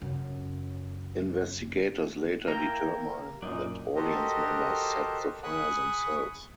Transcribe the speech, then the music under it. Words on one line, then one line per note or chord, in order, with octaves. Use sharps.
Investigators later determine that audience members set the fire themselves.
F#2 C#3
A#3 E4 G5 A#5
F#2 A#2 D4 D#4
F#4 G4 A4 A#4 C5 D#5
G#4 B5 C#6 D#6 F#6